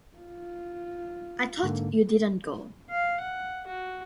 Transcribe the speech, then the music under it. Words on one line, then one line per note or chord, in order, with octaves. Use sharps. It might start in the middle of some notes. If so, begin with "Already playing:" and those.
I thought you didn't go.
F4
G#2 D3 A#3
F5
F#5
F#4